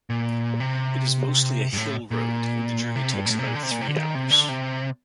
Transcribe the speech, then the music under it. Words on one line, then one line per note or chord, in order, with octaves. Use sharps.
It is mostly a hill road and the journey takes about three hours.
A#2
C3
G2
A2
A#2
C3
G2
A#2
A2
C3
A#2
D3
C3
A#2
C3
D3
D#3
C3
D3
C3